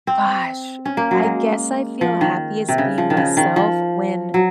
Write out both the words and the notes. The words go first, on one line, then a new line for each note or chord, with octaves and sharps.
Gosh, I guess I feel happiest being myself when
C4
C#4
A#3
F#3
G#3
F3
D#3
C3
C#3
F3
D#3
C#3
D#3
F3
F#3